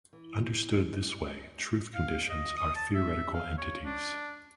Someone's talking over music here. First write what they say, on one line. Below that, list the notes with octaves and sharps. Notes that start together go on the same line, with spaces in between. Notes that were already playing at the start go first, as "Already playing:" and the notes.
Understood this way, truth conditions are theoretical entities.
E3
F5
D#5
D#6
A5
E5
F5
C#5
D4